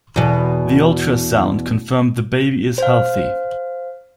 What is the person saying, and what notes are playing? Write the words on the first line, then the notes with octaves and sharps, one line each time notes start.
The ultrasound confirmed the baby is healthy.
E2 B2
C5 F5